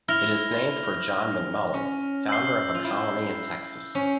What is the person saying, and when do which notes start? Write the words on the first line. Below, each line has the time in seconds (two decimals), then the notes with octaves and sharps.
It is named for John McMullen, founder of a colony in Texas.
0.08 E4 F6 A#6 F7
1.74 C#4
2.29 E6 G6 C7 G7
2.75 F4
2.84 E4
3.95 C#4